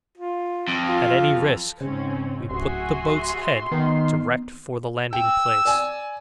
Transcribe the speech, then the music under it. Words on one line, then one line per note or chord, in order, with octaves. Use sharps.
At any risk, we put the boat's head direct for the landing-place.
F4
F2
F4
G#2 C#3 C4 C#4
D1 F#4 G#4 E5 C6
D#3 B3
G5 E6
D5 G#5